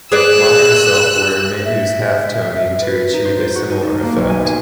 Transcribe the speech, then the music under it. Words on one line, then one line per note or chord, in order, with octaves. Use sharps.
Modern software may use halftoning to achieve a similar effect.
G#4 B4 D5 E6 F#6
E5
E5
B4
B6
D#4
C5
C5
F#4
D#4
A4
A#3
B1
G#5
G#4